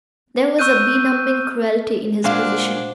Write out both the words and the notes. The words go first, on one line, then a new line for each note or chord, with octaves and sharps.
There was a benumbing cruelty in his position.
C#6 E6 F#6 G6 D#7
A#2 G#3 D4 F#4 C5 F5